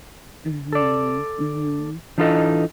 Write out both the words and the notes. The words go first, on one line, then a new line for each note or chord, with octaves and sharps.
Mhm, mhm.
A4 D5
E3 D4 D#4 F4 A4 D#5